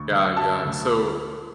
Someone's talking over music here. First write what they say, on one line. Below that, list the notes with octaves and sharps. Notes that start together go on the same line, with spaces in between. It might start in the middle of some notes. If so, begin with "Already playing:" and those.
Yeah, yeah, so,
Already playing: D2 C#6
D3
F#3 A5
D2